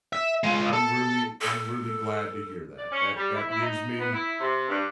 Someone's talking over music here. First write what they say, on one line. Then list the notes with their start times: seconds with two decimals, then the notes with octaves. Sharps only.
I'm really I'm really glad to hear that. That that gives me
0.13 E5
0.44 G#3 F4
0.73 A4
1.41 A4
2.78 D5
2.92 C#4
3.16 G3
3.35 E4
3.48 E4
3.62 D#4
3.99 B3
4.13 E4
4.40 C3
4.69 G2